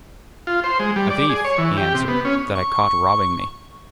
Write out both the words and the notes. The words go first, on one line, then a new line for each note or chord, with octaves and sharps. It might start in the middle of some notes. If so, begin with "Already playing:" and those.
'A thief,' he answered, 'that I caught robbing me.'
F4
C5
G#3
G3
D5
G#4
C#5
E3
G4
C3
B3
C#4
C#6